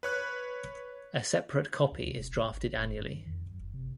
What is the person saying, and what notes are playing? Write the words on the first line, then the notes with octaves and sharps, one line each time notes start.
A separate copy is drafted annually.
B4 C#5 F#6
D2
C3
D#1
G1
G#1
E1
G2
D#3
F2
F#2
F#1
C3